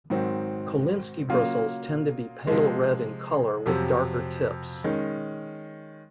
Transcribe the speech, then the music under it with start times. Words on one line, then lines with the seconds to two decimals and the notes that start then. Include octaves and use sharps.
Kolinsky bristles tend to be pale red in colour with darker tips.
0.10 G#2 D#3 F#3 C4
1.28 C#3 F#3 A#3 F4
2.47 C3 F3 G#3
3.66 F2 C3 F#3 C4
4.84 D#3 G#3 C#4